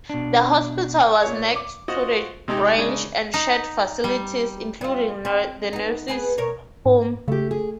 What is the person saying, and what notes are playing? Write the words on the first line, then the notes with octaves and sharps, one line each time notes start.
The hospital was next to the Grange and shared facilities, including the nurses' home.
B2 D4
A#2 C#5
D6
F4 F#4 C5 D#5
C3 G#3 D#4 G4
C#3 G#3 D4
D#4
G3
G3 F4
C4
B3 D#4
B3 G#4 B4
B2 A#4 C#5
G#2
C#3 A3 G4
G#4